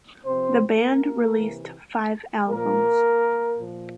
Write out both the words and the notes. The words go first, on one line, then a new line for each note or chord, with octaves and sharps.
The band released five albums.
C3 F3 C4 C5
A#3 A#4
C3 E3
A#2 F3 A#3 A#4
A#2 F3